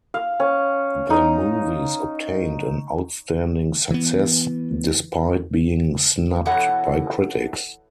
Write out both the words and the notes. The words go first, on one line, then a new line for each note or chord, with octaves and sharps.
Their movies obtained an outstanding success, despite being snubbed by critics.
F5
C#4
D#4
E3 B3
B2 E3 B3 A4 C#5 F#5